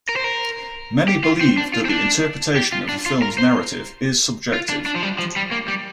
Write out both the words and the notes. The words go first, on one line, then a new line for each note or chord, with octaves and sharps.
Many believe that the interpretation of a film's narrative is subjective.
A#4
C5
A#4
G4
F4
C4
D4
F4
C4
D4
G4
F4
D4
F4
A#4
C5
F4
D4
D4
F3
G3
F3
G3
A#3
G3